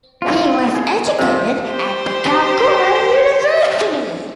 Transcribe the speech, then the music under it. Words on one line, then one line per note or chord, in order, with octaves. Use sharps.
He was educated at the Calcutta University.
F4
G#4
C3 F3
G4 C5